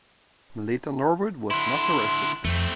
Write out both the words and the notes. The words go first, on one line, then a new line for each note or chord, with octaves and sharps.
Melita Norwood was not arrested.
D3 E4 C6
F2 A3 C4